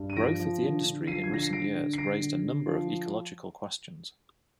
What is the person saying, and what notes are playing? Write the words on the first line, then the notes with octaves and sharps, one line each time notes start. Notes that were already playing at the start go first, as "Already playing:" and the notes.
Growth of the industry in recent years raised a number of ecological questions.
Already playing: G2
D#7
F3 A#6 D7
F3
D3
D3
F3 C7 D#7
G#6
D3 A#6
C7
D3 A#6 D7
D3
C7
D3 A#6 D7
D3
D3
F3